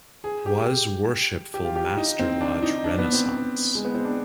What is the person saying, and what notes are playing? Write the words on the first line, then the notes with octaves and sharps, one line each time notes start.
Was Worshipful Master Lodge "Renaissance".
G#4
G4
G4
F4
G4
D#4
C4
D4
D#4
D4
B3
C4
G#3
B3
C4
D4